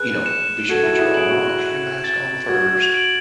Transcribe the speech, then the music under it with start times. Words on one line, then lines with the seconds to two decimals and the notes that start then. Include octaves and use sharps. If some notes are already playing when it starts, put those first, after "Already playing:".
you know, "Be sure to put your own oxygen mask on first,
Already playing: G#4 B4 F#6
0.25 C#7 E7
0.69 F#4 A4 G#6
0.83 E4
0.92 F#4
0.99 E4 G#4
1.14 D7 F#7
1.29 F#4
1.60 F#6
2.04 A6 E7
2.49 F#4 G#6
2.94 D7 F#7